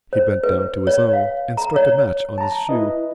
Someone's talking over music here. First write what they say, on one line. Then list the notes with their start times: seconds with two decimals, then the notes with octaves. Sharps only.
He bent down to his own, and struck a match on his shoe.
0.13 C5
0.44 B4
0.87 C#5
1.13 F5
1.57 A#5
1.76 C#5
2.38 A5 A#5
2.69 E4 B4 D#5